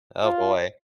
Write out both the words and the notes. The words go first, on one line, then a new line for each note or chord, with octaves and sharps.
Oh, boy.
F4